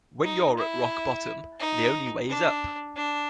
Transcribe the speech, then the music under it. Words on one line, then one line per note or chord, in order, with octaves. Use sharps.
When you're at rock bottom, the only way is up.
D#4
E4
D#4
D4
D4